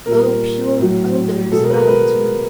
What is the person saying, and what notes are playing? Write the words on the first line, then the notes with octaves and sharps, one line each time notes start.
O pure odours around me!
A#2 A#4
G3
A2 F#3
B2 G#3 A4
A#4
B4
A#4
B4